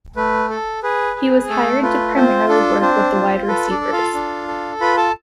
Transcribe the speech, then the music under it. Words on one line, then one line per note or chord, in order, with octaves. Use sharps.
He was hired to primarily work with the wide receivers.
A3 B4
A4
G#4 B4
G#4
A3 A4
F4 B4
C4 F4 C5
D4 A4
C4 D4 C5
F4
A4 B4
D4 D5
A4
F4 F5
D4
A4
F4 B4 B5
A4 A5